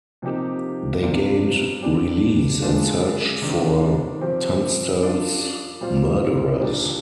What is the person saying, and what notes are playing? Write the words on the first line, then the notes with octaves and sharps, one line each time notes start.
They gained release and searched for Tunstall's murderers.
C3 F3 A#3 D#4 G4
C3 G3 D4 F4
D3 G3 D4 G4
D3 G#3 D4 F4
C3 D#3 G3 D4
C3 F3 C4 G4
G3 D4 F4
A#2 G3 C4 F4
A#2 G3 D4 G4